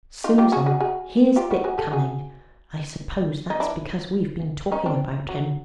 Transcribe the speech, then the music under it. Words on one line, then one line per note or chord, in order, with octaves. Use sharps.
"Susan, here's Dick coming; I suppose that's because we've been talking about him."
D#4 F4
F4 G4
F#4 G#4
F#4 G#4
F#4 G#4
F4 G4
E4 F#4
F#4 G#4
G4 A4
F#4 G#4
D#4
D4 E4
C#4 D#4
C4 D4
F#3